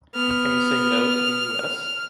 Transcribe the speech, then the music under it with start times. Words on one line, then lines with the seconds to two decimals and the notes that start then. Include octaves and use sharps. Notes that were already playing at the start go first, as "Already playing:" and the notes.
Can you say “no” to the US?
0.15 B3 F6